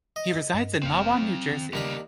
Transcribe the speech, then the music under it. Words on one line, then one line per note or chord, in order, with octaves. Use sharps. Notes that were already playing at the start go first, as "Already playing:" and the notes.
He resides in Mahwah, New Jersey.
D#5
G2
F1 F#2 A#3 C4 F5
F#3
D#3
D#2 C#3 G3 B3 C#4 D4 A#4 B5